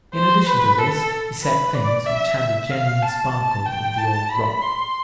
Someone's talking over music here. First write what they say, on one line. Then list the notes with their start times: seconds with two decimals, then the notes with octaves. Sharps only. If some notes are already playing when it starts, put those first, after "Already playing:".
In addition to this, he said things which had the genuine sparkle of the old rock.
0.14 C5
0.47 B4
0.79 A4
1.43 B4
1.74 D5
2.06 E5
2.38 E5
2.71 F5
3.02 A5
3.66 G5
3.98 A5
4.30 B5
4.62 C6